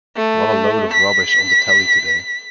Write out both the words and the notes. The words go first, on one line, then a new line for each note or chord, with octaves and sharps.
What a load of rubbish on the telly today.
A3
B6